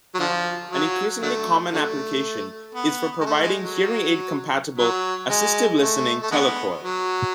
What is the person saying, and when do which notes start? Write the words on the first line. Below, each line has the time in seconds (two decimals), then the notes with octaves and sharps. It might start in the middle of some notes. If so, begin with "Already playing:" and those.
An increasingly common application is for providing hearing aid-compatible "assistive listening" telecoil.
0.15 F#3
0.19 D3 F3
0.71 F#3
1.22 D3 F#3 A3
1.73 D3 F#3 A3
2.75 B3
3.21 G#3
3.26 A3
3.42 G#3
3.60 F#3
4.78 F#3
5.30 G#3
5.81 A3
6.22 A3
6.32 D3 G#3 B3
6.82 F#3